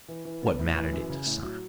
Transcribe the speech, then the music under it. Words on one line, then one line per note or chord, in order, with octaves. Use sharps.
What mattered it to Simon?
E3
E3
B3
A2
E3
F#2
C#3
A2
F#3